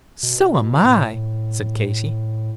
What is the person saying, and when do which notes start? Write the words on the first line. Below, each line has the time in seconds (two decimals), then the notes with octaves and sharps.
"So am I," said Katy.
0.23 B2
0.85 A2